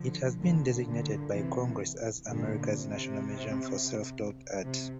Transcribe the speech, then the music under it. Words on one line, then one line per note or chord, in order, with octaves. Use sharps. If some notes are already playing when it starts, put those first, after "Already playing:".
It has been designated by Congress as America's national museum for self-taught art.
Already playing: D3 F3
A#2 D3
A#2 D3
C3 E3
A#2 D3
C3
C3